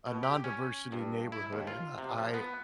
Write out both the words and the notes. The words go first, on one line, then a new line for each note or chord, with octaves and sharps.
a non-diversity neighborhood, and, uh, I
B2
G4
C#4
G2
E4
D#2
F4
C3
F3
B3